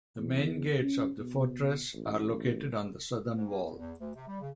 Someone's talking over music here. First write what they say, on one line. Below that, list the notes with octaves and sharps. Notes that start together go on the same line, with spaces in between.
The main gates of the fortress are located on the southern wall.
E2
C#4
B2
A1
G#2
A#3
E2
E2
D2
C3
G3
C#3